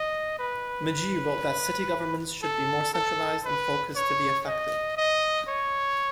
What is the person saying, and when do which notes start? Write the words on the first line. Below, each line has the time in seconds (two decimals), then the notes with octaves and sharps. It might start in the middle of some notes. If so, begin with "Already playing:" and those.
Magee wrote that city governments should be more centralized and focused to be effective.
Already playing: D#5
0.39 B4
2.42 A4
2.93 A4
3.44 B4
3.95 C#5
4.47 D#5
4.97 D#5
5.48 C#5